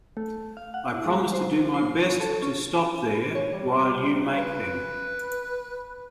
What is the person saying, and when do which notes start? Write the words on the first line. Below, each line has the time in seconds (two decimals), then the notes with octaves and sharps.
I promise to do my best to stop there while you make them.
0.17 A3
0.57 F5
0.74 F#5
0.94 E4
1.06 G#3
1.33 C5
1.59 F3
1.74 C7
2.02 C#5
2.20 A4
2.42 C#4
3.35 C#5
3.53 G3
4.38 B4